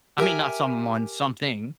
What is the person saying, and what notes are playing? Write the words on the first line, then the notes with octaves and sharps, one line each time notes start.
I mean not someone, something,
G4 A#4 E5 G#5